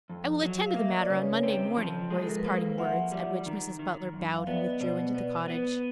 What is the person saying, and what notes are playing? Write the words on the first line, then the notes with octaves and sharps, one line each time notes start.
"I will attend to the matter on Monday morning," were his parting words, at which Mrs. Butler bowed and withdrew into the cottage.
F2
F#3
F5
A#3 E5
D#5
D5
C#3 B4 C#5
C4
F3
G#3
A4
A#4
B4
A#3 A#4 C5
F3 E5 F#5
G3
D#3
D#3
F#2
F5
B3 D5 E5
D#5
B2 C5 D5
B3 C5 D5
B3